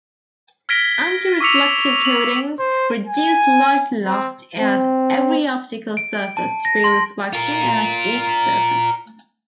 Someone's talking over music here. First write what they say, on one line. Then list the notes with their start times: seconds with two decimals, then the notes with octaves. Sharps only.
Anti-reflective coatings reduce light lost at every optical surface through reflection at each surface.
0.69 F6 G#6 A#6 B6 D7 G7
1.40 C#6 D6 E6 B6 C#7 F7
2.05 F#7
2.59 C5
3.07 G#5
4.05 C4
4.59 C4
5.97 D7
6.37 A5
6.65 A#6
6.84 C6
7.33 F4 A#4